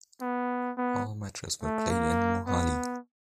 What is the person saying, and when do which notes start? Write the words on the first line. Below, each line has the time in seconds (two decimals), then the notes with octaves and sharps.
All matches were played in Mohali.
0.21 B3
0.77 B3
1.62 A3
1.90 A#3
2.47 B3